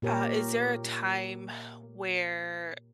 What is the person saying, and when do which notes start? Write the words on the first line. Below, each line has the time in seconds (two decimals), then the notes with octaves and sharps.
uh, is there a time where,
0.02 A#2 G4 A#4 C#5